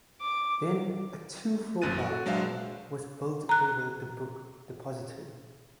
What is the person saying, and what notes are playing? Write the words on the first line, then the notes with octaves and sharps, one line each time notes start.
Then, a two-floor bell tower was built over the book depository.
D6
A1 F#2 A#2 F#6 A6 D#7
F#4
F#3 G#3 D4 C5 E5 F5
A#5 F#6